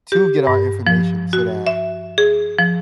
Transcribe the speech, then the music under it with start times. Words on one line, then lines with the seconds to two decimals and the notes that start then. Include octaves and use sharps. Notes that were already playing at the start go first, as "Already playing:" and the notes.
to get our information, so, that
0.12 G4
0.47 G2
0.87 F3
1.33 F#4
1.67 E5
2.18 G#4
2.59 F3